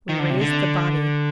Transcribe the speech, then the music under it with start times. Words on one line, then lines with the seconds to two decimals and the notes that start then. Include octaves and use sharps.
We raised the body.
0.09 D#3
0.19 D3
0.30 C3
0.41 D3